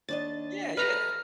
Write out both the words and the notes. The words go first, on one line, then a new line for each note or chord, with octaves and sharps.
Yeah, yeah.
D#2 D4 D#5 A6
A4 B4 D#5 A#5 F6